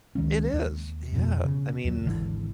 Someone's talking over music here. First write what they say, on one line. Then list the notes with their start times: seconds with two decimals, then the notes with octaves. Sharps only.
It is. Yeah. I mean
0.15 C#2 D#3 G#3 C#4
0.53 D#2
1.12 F2 B2
1.45 C#3
1.84 D#2 F#3
2.05 G#1 D3 E3